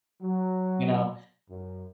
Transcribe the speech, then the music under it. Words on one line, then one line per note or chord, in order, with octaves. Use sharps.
You know,
F#3
F#2